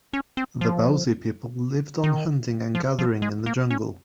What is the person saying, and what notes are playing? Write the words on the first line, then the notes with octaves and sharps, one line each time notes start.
The Bauzi people lived on hunting and gathering in the jungle.
C#4
C4
F3
D#3
F3
F3
G#3
A#3
C#4